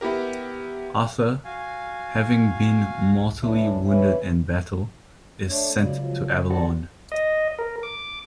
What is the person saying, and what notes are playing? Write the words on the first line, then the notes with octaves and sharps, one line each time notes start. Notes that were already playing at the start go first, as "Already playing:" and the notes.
Arthur, having been mortally wounded in battle, is sent to Avalon.
B3 E4 G4 A#4
F#4 F5 G#5
A2 E3 D4 E4
E3 C#4 B4
A3 D4 C#5
C#2 F#3 D5
F3 F#3
D2 F#4 A4 C5 D5
D#5
A#4
D6